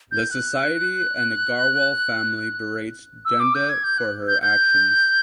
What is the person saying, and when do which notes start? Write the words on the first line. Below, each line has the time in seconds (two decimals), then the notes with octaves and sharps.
The society and Agarwal family berates Genda for her actions.
0.12 G6
0.31 F#6
3.25 E6
3.40 D6
3.55 G6
3.69 G#6
3.84 G6
3.98 F#6
4.28 G6
4.42 G6